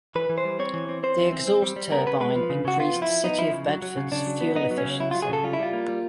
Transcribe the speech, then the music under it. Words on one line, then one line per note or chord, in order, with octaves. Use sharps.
The exhaust turbine increased "City of Bedford"s fuel efficiency.
E3 B4
E3
C5
G3
C4 C#5
E3
C4
C4 C5
E3
C4
C4
G3
G3
B3 A#4
C#3 B4
G#3 B4
F3
C#3
C#3 F#4
B3 F4
F3
E4
F3
B3 D#4
F3 E4
C#3
F#3
F#3
C#3
C#3 D4
F#3
B3
B3 D#4
F#3
C#4
C#3
F#3 E4
F#3 F4
G#4
C#3 A4
G3 F4
E4
G3 F4
A#3
G3